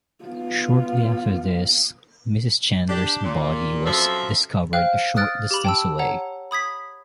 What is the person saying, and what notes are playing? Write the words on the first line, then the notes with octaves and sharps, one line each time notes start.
Shortly after this Mrs. Chandler's body was discovered a short distance away.
B3 F4
D4 G4
A#2
F#2 F3 C4 A4 E5
C5 F5 G5 F6 F#6
D#6 F6 F#6 A6 D7
G4 B5
G5 A5 E6
C#5 F#5 A#5
B5 D#6 G#6 B6